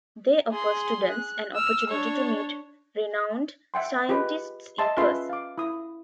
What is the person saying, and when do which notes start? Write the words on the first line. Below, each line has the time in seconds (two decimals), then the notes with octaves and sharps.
They offer students an opportunity to meet renowned scientists in person.
0.52 G#4 C6
1.10 F#6
1.55 E6 F6
1.90 D4 C#5
3.74 E5 F#5 G5 C6
4.09 F4 G4 G#4 B4 D#5
4.78 D#5 E5 A5 C6
4.97 C#4 F4 G#4 B4 E5 C6
5.29 F5 D6
5.58 E4 D#6